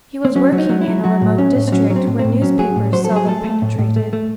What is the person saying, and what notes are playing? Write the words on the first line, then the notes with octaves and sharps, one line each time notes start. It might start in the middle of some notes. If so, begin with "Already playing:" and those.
He was working in a remote district where newspapers seldom penetrated.
C4
F#3 C#4
F#3
D#4
F#3
E4
F#3
F#3 F#4
A2
A2 C#4
A2
C4
F#3 C#4
F#3 C#4
C4
A2
C4
A2
F#3 C#4
F#3 G#4
A2
F#3 C5
A4
F#3
G#4
A3 A4
A3
A2
A2
A3
A3